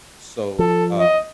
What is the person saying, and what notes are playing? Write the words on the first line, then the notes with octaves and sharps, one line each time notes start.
so, um
F3 A4
D#5